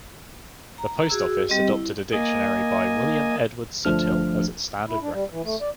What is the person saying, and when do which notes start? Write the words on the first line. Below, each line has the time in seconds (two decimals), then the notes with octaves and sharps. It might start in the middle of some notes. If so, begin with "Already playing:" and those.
The post office adopted a dictionary by William Edward Soothill as its standard reference.
0.78 A#5
1.09 F#4 G#4 E6
1.49 G3 C4 G4 D#5
1.68 E4
2.13 A#3 D#5 G#5
3.85 G1 F3 A3 D4 F6
4.88 E4
5.02 D4
5.13 G3
5.31 E3
5.44 A3
5.61 D5